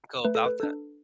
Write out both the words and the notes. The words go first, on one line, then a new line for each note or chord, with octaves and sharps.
go about that.
A3 B4
A4
B4
D4 A4